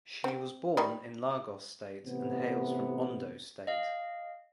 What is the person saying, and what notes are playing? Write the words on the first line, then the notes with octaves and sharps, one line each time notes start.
She was born in Lagos State and hails from Ondo State.
C4 G4
D#3 G3 D#4
A1 C3 B3
D#5 F5